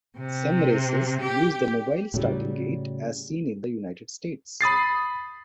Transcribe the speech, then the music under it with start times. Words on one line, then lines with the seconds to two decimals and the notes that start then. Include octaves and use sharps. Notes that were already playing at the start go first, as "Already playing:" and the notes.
Some races use the mobile starting gate as seen in the United States.
0.18 C3
1.21 G4
2.14 A2 C#3 F#3 G3
4.61 B5 D#6 A6 C7